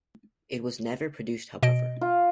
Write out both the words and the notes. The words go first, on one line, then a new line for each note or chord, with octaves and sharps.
It was never produced however.
B2 D#5 D7
F4